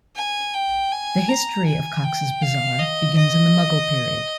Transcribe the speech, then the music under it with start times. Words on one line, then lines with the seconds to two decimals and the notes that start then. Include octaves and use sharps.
The history of Cox's Bazar begins in the Mughal period.
0.16 G#5
0.54 G5
0.91 G#5
1.29 A#5
1.66 G#5
2.04 G5
2.42 F5
2.79 D#5
3.17 D#5